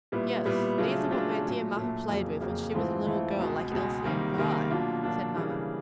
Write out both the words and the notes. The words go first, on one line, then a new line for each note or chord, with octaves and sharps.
"Yes, these are what my dear mother played with when she was a little girl like Elsie and Vi" said mamma.
A#2 G3 B3 E4
A#2 G3 B3 E4
C#3 F#3 A3 D4 F4
C#3 F#3 A3 D4 F4
A#2 F#3 A3
A#2 F#3 A3
F2 C#3 F#3 A#3
F2 C#3 F#3 A#3
G#2 E3 A3 C4 F4
G#2 E3 A3 C4 F4
C#2 B2 G#3
C#2 B2 G#3
C3 D#3 G3 A#3
C3 D#3 G3 A#3
B2 F#3 A#3 D4 F4
B2 F#3 A#3 D4 F4
C#3 E3 G3 A#3 D4